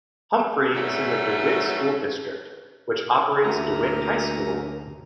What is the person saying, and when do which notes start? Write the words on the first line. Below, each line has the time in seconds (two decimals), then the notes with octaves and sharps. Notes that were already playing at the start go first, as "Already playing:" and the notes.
Humphrey is in the DeWitt School District, which operates DeWitt High School.
0.75 G#2 F#3 G3 A3
3.43 D2 A3 A#3 G4 F#5 A#5